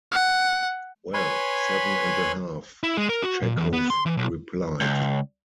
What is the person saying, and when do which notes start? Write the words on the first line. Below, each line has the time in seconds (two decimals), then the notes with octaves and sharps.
"Well, seven and a half," Chekhov replied.
0.12 F#5
1.14 B4 C#5 G#5 B5 C6
2.83 E4
2.97 G#3
3.09 A#4
3.23 F#4
3.42 A#2
3.57 E2
3.73 B3
3.90 C6
4.06 E3
4.17 B1
4.81 C#2